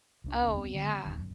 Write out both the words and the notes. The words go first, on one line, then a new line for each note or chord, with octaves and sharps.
oh, yeah.
C2 A3 D4
E1 D2 C4
B3 C4
D3 D#3 F#3 B3
D#1 G#1 D#3
F#2